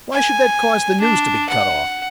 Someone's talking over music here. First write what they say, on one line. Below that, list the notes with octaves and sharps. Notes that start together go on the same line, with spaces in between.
Why should that cause the news to be cut off?
G#5
D4
F#5